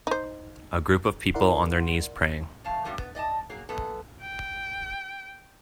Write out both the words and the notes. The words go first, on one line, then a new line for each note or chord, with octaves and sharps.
A group of people on their knees praying.
D#4 C5
C2 E4 A#4 D5 F#5 C6
E2 A2 F5 A5
G2 C3 F#3 G3 A#3
B3
D5 D#5 G#5 A5
F#3 A#3 G#4
F#2 A#2 B3 A4
G5